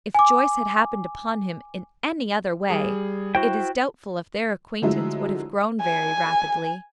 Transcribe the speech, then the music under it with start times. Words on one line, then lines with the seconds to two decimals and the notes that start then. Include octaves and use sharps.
If Joyce had happened upon him in any other way, it is doubtful if their acquaintance would have grown very rapidly.
0.15 G#5 D6
2.70 G3 G#4
3.35 E4 F#4 C5 G5
4.82 D3 F3 F#3 G#3 A3 E4
5.81 G#5